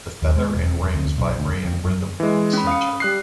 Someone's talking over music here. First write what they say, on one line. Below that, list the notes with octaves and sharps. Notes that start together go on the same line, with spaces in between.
The feather and rings vibrate in rhythm with the sintir.
D#2
G#3
E1
D2
B1
D2
F#2
F2
F#2
E3 G#3
C#4 B5
F5 D#6 C#7
G3 F#6 C7